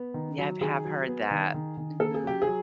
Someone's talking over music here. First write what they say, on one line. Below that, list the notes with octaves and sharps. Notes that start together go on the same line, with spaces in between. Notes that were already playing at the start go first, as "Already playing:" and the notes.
Yeah, I've have heard that. Mhm.
Already playing: B3
D#3
F#3
D#3 G#4
F#3
B3
D#3
D#3
D#3
A#3 A4
G#4
F#3 G4
G#4
F#3